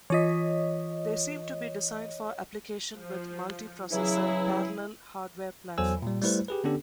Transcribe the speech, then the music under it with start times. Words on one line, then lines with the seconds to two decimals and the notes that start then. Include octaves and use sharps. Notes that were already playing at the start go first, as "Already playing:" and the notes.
They seem to be designed for application with multiprocessor parallel hardware platforms.
0.10 E3 F4 C#5 D#5 B6
2.98 F3
3.92 C#3 E3 F#3 E4 G#4
5.78 E2 F#3 A4 C5 G#5 E6
6.02 A#2 G3
6.22 G3 A3 E4 B4 C5
6.48 G4 G#4 B4
6.64 D3 B3 C#4 D4 G4 A4